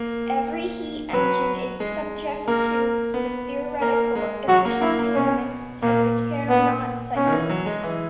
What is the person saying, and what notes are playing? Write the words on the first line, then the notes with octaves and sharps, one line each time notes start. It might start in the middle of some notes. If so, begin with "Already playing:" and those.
Every heat engine is subject to the theoretical efficiency limits of the Carnot cycle.
Already playing: A#3
F#3 B4
G#3
A#3 A#4
B3
A#3 A#4
G#3
F#3 F#4
A#3
A#3 E4
A#3
B2 C#4
A#2 A#3
B3
B2 C#4
D#3
E3
F#3
G#3
E3